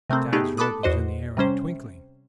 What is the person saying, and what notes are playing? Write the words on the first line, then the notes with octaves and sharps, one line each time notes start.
Tad's rope was in the air in a twinkling.
C3 A3 A#3 C4
A3 B3 D#4 G4 G#4
A4 A5 B5 D6 D#6 F#6
E2 F#4 C5 D#5
C3 G3 C#4 C5